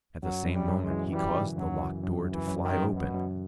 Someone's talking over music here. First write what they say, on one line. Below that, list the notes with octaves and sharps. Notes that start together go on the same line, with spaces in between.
At the same moment he caused the locked door to fly open.
F#2 F#3
F#2
G3
F#2
G#3
E3
E3 G3
C#3
F#2 F#3
E3
F#2
F#2
E3
F#2
D#3
F#2
F#2 B2
F#2